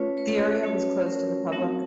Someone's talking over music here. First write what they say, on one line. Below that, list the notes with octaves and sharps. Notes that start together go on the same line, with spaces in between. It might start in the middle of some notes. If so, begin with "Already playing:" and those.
The area was closed to the public.
Already playing: A3 C#4 F4 B4 C#5
B4 C#5
F#3 A3 C#4 F#4
A#4 C5
F#3 A3 C4 D#4 F#4